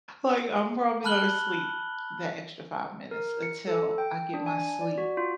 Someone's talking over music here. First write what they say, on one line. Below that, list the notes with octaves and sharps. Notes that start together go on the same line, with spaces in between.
Like, I'm probably gonna sleep that extra minutes, until I get my sleep
A5 B5 F6 F#6 F#7 G7
A#4
C#7
A4
G5
D4
G#5
D5
F#4
F4